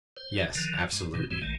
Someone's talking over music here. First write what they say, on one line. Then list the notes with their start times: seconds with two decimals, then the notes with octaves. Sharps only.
"Yes; absolutely."
0.17 C5
0.55 D3 D#3 F3
0.92 G2 G#3
1.14 G#2 B2 D#3 C4
1.31 E2 G#2 E3 G3 G#3 C4
1.42 A#1 D#3 G#3 A3